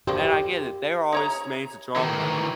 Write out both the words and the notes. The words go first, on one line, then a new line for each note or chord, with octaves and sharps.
And I get it, they're all just made to draw money,
A#3 D4 G4 C5
D#4 C#5 A#5
D#3 E3 A#3 F#4 A4